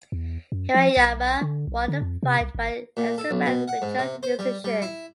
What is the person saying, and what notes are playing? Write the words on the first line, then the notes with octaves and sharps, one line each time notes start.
Hirayama won the fight by an extra round majority decision.
E2
F#2
F3
B1
D3
B1
D3
F2
C3
C2
G#1
A#2
A4
B1
B2
F#5
G#2
C3
C5
G3
G3
E4